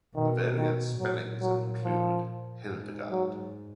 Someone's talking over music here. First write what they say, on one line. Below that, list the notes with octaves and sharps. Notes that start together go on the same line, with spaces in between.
Variant spellings include Hildegarde.
B2 D#3
D#3
A#2 F#3
F#3
F3
G#2
F#3